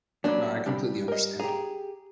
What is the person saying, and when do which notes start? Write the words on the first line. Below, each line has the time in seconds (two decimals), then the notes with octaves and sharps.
No, I completely understand.
0.24 F#3 G3 A#3 C#4 D4
0.66 G3 D4 B5
1.08 A#4 D#5
1.39 G4 G#4 A#5